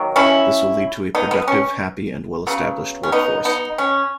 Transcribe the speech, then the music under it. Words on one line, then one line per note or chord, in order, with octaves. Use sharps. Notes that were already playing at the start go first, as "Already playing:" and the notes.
This will lead to a productive, happy, and well established work force.
Already playing: D#3 F#3 A#3
C#4 E4
B3 D#4
B3
C#4
C#3 F#3 B3
C#4
B3 D#4
B3 D#4
C#4